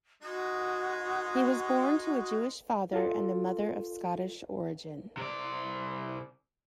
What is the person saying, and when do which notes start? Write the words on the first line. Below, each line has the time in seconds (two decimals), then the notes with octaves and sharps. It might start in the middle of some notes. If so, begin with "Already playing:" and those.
He was born to a Jewish father and a mother of Scottish origin.
0.23 G#3 D#4 F#4
2.93 F4 A4
5.17 C3 D5